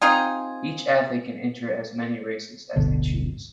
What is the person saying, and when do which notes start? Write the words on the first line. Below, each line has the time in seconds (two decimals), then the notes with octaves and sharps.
Each athlete can enter as many races as they choose.
0.02 C4 D#4 F4 G#4
2.76 D1 G1 B2 D3